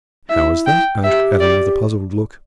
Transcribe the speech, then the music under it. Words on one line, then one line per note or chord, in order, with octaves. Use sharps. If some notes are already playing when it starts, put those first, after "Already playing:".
"How is that?" asked Adam with a puzzled look.
E4 E5
G5
G4 E5
D5